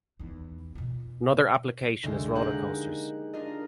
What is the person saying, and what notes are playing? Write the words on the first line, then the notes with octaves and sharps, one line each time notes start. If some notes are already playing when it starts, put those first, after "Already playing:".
Another application is roller coasters.
E2 D#4
B2 F4
D2 C3 G#3
G#3 A#3 D#4 G4 G#4 F#5
D4 F4 A#4 D#5